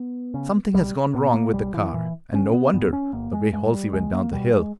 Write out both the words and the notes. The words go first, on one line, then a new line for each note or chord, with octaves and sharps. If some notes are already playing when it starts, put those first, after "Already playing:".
"Something has gone wrong with the car, and no wonder--the way Halsey went down the hill."
Already playing: B3
C#3
B1 G3
A#2 B3
A#3
B1 G3
E3
A#2 E3
G1 C#4
B3
G2 B3
C#4
G1 A#3
G#3
G2 G#3
G3
C#2 G#3
A#3
B2 G3
G#3